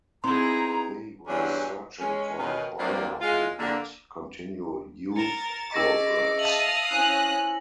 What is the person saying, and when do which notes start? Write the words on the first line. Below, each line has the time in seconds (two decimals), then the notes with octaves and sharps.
They were searching for a buyer who would continue youth programs.
0.24 B3 C4 D#4 E4 G#4 A#5 C6
1.27 E2 G2 E3 F#3 C#4 D4
2.00 G#3 C#4
2.38 B2 D#3 C#4
2.78 F3 F#3 A3 A#3 C4 D4
3.21 G#3 F4
3.59 D3 A#3
5.16 A#4 A6 C#7 E7
5.72 C#4 G#4 D#5 D6 E6 A#6 B6
6.39 E5 F5 A5 D#6 F#7
6.91 C#4 E4 C5 G#5 F#6